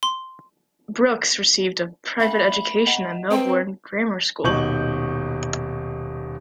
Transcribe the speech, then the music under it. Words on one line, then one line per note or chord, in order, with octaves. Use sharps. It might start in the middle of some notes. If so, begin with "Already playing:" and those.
Brookes received a private education at Melbourne Grammar School.
C6
A3 E5 B5
D#5 F#5
C4 B4 G5 A#5
D#1 B2 D#4 C#6 G6 F#7